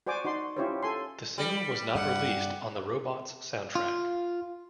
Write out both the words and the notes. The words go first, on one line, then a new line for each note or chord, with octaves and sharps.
The single was not released on the "Robots" soundtrack.
F#4 C5 D5 G#5 D6
D#4 F#4 D5 C6
C#4 E4 F4 G4 C5 C#5
A4 G#5 C6
G3
G2 F#5
F4